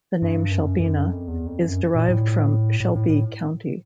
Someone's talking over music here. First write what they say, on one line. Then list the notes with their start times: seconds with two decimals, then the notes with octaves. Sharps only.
The name "Shelbina" is derived from Shelby County.
0.22 G2
0.51 F#2
0.80 F#2
1.08 F2
1.27 E2
1.46 F2
1.66 F#2
1.95 A#2
2.09 A2
2.80 A2
2.96 A2
3.09 A2